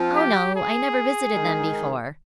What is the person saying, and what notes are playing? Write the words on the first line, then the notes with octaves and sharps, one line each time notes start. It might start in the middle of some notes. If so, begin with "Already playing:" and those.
"Oh, no. I never visited them before."
Already playing: F3 C4 F4
G4
G#4
D#3 G#3 D#4